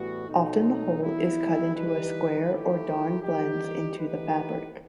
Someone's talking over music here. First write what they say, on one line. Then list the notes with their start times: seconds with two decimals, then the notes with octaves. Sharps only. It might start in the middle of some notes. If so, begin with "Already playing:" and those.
Often the hole is cut into a square or darn blends into the fabric.
Already playing: A2 E3 G3 B3 F#4
0.28 B2 F#3 A3 D#4
1.02 E3 G3 B3 E4
1.74 E3 G3 D#4 G4 B4
2.48 D#3 A3 E4 G4
3.21 E3 G3 D#4 G4
3.95 E3 A3 D#4 G4 B4